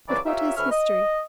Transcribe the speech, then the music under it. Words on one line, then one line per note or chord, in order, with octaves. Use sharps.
But what is history?
C#2 C#3 E3 F#3 D4 D5
F4 G4 A#4 C#5 E5
D2 A2 C#4 B4 E5 F6
D#5